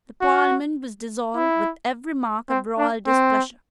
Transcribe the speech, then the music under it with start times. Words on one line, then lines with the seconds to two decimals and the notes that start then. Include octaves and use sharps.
The Parliament was dissolved with every mark of royal displeasure.
0.21 F#4
1.36 E4
2.50 C4
2.78 D4
3.07 C4